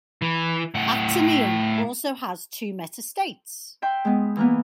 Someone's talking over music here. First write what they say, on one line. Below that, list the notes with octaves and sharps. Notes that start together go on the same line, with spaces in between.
Actinium also has two meta states.
E3
A2 F#5
E5 G5 C6
G#3 B3
E3 A#3 B3